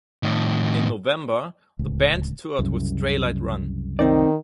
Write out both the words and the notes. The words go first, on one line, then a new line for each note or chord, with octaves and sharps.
In November, the band toured with Straylight Run.
A2 D#3
D1 C#2
C2 F#2 C#3
D#3 C4 D#4 D5